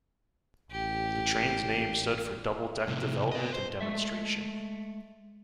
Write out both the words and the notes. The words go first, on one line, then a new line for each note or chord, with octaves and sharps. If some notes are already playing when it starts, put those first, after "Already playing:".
The train's name stood for Double Deck Development and Demonstration.
A1 G4
A2 C3
B4 D#5
C5
G#3 A3 E5